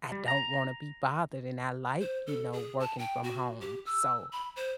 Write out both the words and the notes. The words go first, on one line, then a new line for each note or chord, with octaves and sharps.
I don't wanna be bothered, and I like, you know, working from home. So
G3
A#5
C5
A4
G#4
A5
G5
F#4
G4
E6
B5
C5